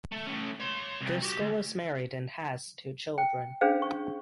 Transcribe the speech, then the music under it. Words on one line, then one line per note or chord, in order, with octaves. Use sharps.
Driscoll is married and has two children.
A3
A2 C#4
C#5 C6
C2
F#4 G4
D2
G5
C#4 D4 G#4 C5 F5
C#6